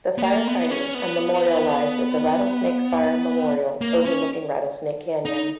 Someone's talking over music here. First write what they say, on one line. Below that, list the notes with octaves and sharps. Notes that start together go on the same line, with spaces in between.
The firefighters are memorialized at the Rattlesnake Fire Memorial overlooking Rattlesnake Canyon.
B3
A#3
B3
C#4
B3
A#3
C#4
D#4